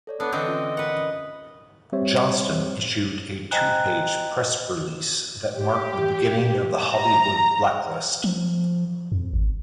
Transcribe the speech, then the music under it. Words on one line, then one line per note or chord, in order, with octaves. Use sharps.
Johnston issued a two-page press release that marked the beginning of the Hollywood blacklist.
A4 C#5 D5
B3 D4 A4 E6
D3 E3 C4 B4 D#5
C#4 F4
A#4 B4 F#5
G3 C4 G4 C5 C#5 E5
C5 D#5 G5 G#5 A#5 F#6
G4
A#5
F3
F2
G#1